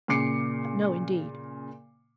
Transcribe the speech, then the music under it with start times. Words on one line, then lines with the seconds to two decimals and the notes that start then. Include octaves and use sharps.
"No, indeed."
0.08 A#2 C#3 D6 C7 C#7